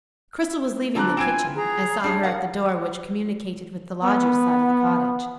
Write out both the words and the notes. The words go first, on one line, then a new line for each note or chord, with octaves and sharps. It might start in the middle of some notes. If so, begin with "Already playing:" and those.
Cristel was leaving the kitchen; I saw her at the door which communicated with the Lodger's side of the cottage.
D3 F3 C4 D4 A#5 F#6
C4 E4 F4 G#5 G#6 D7 E7
G#4 A#5
D4 G#4 C#5 C7
A#4 F5 F#5
B3